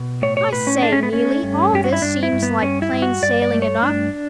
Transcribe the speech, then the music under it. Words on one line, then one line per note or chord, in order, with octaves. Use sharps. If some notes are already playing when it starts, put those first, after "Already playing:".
I say, Neelie, all this seems like plain sailing enough.
Already playing: B2
A2 C#5
C#5
A2 B4
C#4
A3 D4
C#4
B3
A3 C#4
G2
G2 G4
F#4
E4
G2 D4
E4
G2
B3
G2 C#4
E4
G2
F#4
G2 D5
D5
A3
C#5
G2 D4